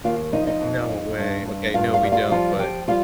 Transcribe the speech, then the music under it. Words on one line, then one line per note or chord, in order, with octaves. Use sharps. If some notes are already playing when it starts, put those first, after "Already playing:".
No way. Okay, no, we don't, but
D#2 F4 F5
F3 D#4 D#5
D#4 D#5
F2
F2
G2
G2
G2 F4 F5
F4 F5
G3
F4 F5
F3 F4 F5
F3 G4 G5
G3 F4 F5